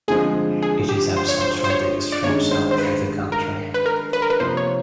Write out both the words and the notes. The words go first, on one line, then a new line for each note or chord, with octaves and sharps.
It is absent from the extreme south of the country.
G2 D3 F3 G#3 C4 G#4
G#4
G4
C5
C#5
C5
C5
C#5
D5
G2 D#3 G#3 C#4 C#5
C5
C5
B4
A#4
B4
A#4
B4
A#4
B4
C3 F3 A#3 C5
C#5